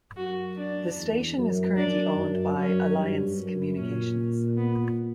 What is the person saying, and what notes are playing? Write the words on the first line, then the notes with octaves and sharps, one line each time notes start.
The station is currently owned by Alliance Communications.
F#2 F#4
D4
E2
F#2
F#2 D4
F#2
F#2 C#4
G2
F#2
A#2 C#4
B3